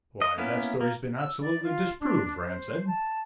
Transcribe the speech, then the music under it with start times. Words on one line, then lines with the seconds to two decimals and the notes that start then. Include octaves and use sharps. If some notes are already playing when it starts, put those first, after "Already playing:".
"Why, that story's been absolutely disproved," Rand said.
0.21 D#5
0.38 A#3 B3 C#4 E4
0.81 A#3
1.16 E6
1.42 D5
1.65 F4
2.00 D4
2.37 C5
2.88 A5